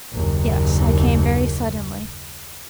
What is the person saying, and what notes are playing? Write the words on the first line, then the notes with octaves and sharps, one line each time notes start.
"Yes, I came very suddenly."
F#1 D#2